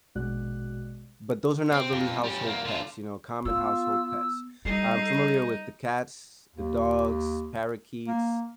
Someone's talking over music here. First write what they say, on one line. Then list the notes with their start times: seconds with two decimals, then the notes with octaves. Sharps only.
but those are not really household pets, you know? Common household pets, I'm familiar with the cats, the dogs, parakeets,
0.15 A#1 B2 G#3 F#4 D5 F#6
1.72 C4
1.91 F2
2.24 G3 C#4
2.45 E2 A#3
2.65 D3 F4
3.45 B3 F4 E6
4.65 G3 D#4 A4 C7
6.55 D#2
8.08 A#3